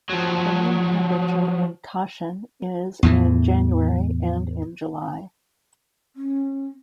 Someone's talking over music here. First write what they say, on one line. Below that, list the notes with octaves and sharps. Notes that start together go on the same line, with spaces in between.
The mean temperature in Kashin is in January and in July.
F3 F#3
E2 A2 E3
C#4